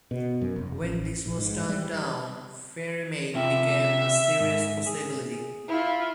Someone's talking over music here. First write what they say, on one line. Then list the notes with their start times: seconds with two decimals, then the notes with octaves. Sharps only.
When this was turned down, Ferrymead became a serious possibility.
0.11 B2
0.42 F#2
0.56 F1
0.81 A1
1.26 A#1
1.38 G#2
1.69 G3
3.35 C3 F4 E5 G5
4.40 G#2
4.87 G#4
5.68 E4 F4